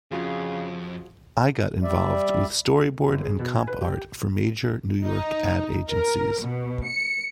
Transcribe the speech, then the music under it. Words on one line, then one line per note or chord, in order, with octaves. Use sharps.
I got involved with storyboard and comp art for major New York ad agencies.
F2 C#3 F4 F#4 G#4
G3 D5 E5
G1
G#4
B2
G#5
B4
G4
D#4
A#4
B2
C#7